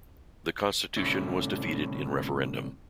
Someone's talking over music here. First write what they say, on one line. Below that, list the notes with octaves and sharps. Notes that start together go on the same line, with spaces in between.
The constitution was defeated in referendum.
C2 A2 D3 C#4 E5